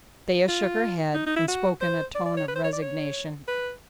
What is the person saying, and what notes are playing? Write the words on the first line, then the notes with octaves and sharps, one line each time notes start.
Thea shook her head and spoke in a tone of resignation.
F4
D#4
D#4
E4
F#4
C5
D5
D5
C#5
B4
C5
C#5
D5
C#5
B4